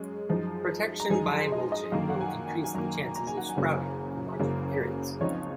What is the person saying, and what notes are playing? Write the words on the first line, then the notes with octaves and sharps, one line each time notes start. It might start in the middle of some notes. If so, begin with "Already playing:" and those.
Protection by mulching will increase the chances of sprouting in marginal areas.
Already playing: F#2 G#3 C#4
F#2 F3 G#3 D#4
A#5
F#2 F3 G#3 D#4 G#5
C6
A#5
D#5
D#5
F#2 D#3 A#3 F5
F#5
G#5
G#5
G#5
F#2 D#3 A#3 A#5
A#5
G#5
F#5
G#5
F#1 F#2 C#3 F#3 A#3
F#1 F#2 C#3 F#3 A#3
C#2 C#3 F3 C4 D#4 C#5